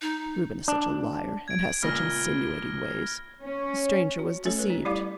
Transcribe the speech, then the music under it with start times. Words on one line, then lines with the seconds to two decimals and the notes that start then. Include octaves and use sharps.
Reuben is such a liar, and has such insinuating ways. The stranger was deceived.
0.02 D#4
0.68 D4
1.48 G#6 D7
1.83 C#2 A#2 F6 A#6 G7
3.43 C#4
4.19 F#4
4.45 A3 C#4 A4 C#5
4.59 B4
4.70 D#4
4.85 G3 E4 G4 D5 F5 D6